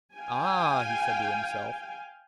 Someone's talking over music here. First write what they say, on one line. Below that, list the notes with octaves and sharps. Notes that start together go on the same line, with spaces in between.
'Ah!' he said to himself.
F5 G5 G#5